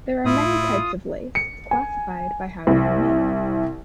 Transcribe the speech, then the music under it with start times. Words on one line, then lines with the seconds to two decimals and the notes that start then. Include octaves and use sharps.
There are many types of lace, classified by how they are made.
0.25 A2 E4 F4 D#6
1.35 C#7
1.71 G#5
2.67 C2